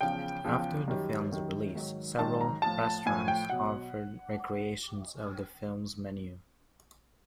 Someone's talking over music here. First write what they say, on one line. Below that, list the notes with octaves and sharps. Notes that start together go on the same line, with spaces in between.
After the film's release, several restaurants offered recreations of the film's menu.
E2 C#3 F3 G5
E2 C#3 F3
F#2 D#3 G3
F#2 D#3 G3
G#2 D#3 F#3
G#2 D#3 F#3 A5
A#5
A2 F3 A5
A2 F3 G#5
G5
B2 F#3 F#5